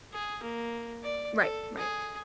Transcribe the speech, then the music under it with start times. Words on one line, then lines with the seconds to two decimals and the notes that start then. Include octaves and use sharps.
Right, right.
0.13 G#4
0.42 A#3
1.03 D5
1.41 A4
1.77 G#4